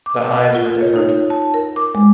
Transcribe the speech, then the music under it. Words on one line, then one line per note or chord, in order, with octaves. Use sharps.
The eyes were different.
D6
D#5
F4
C#5
D#4
A5
A#4
D6
G#3